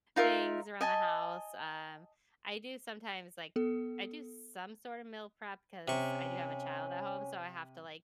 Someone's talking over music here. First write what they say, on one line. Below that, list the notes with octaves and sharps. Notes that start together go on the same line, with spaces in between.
things around the house. Um, I do sometimes like uh, I do some sort of meal prep 'cause I do have a child at home, so I have to, like,
D#4 F4 A#4 E5
D#5 G#5 A5
B3 A4
C3 C#4 C#6